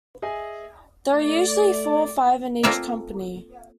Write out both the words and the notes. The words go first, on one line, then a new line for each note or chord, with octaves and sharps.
There are usually four or five in each company.
G#4 D#5 E5 G#5
A3 D5
A#3 C4 F4 A4 D5 E5